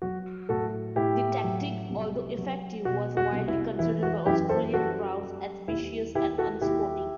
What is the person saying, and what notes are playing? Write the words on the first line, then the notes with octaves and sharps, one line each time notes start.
The tactic, although effective, was widely considered by Australian crowds as vicious and unsporting.
F#3 F#4
A2 F#4 A4
A2 E4 G4
F#3
C2
F#3
B2 F#4
F#4
C2
E4
E3 E4
F#4
F#2 E4 G4
A4 C5
G3 F#4 A4
G3
D#2 E4
D#2 E4 G4
F#4 A4
D#2 E4 G4